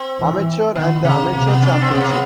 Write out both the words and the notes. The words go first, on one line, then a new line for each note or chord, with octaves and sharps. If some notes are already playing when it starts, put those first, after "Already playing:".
Amateur, and The Amateur Championship.
Already playing: C4
E3
D#3 B3
C#3 A#3
C3 A#3
B3
C#4
D4
C4
C#3 B3
A#3
B3